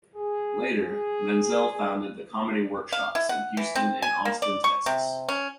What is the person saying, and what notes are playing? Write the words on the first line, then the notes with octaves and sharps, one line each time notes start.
Later, Menzel founded the Comedy Workshops in Houston and Austin, Texas.
G#4
G#4
F5
E4
F#5
E3
C4
G#5
A#3
D5
C#6
C3
C#4